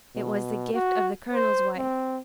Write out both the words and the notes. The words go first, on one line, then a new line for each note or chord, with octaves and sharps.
It was the gift of the colonel's wife.
B2
F#4
C5
C4